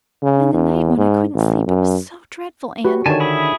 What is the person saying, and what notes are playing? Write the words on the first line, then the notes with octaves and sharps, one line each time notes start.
But in the night, when I couldn't sleep--it was so dreadful, Anne.
C#3
E2
G#2
A1
F#2
F#4 G4 B4 C#6
D3 D#3 C#5 G#5 A5
E4 G#4 B5